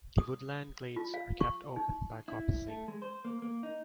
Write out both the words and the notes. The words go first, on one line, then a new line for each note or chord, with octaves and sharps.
The woodland glades are kept open by coppicing.
D#6
F4
F5
C#6
D#4
E4
A3
G#3
C5
A#3
A#3
D#4